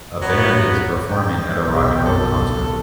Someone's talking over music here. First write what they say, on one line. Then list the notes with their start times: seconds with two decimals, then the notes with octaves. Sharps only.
A band is performing at a rock and roll concert.
0.21 F#3 B3
1.12 G5
1.65 B1
2.06 A4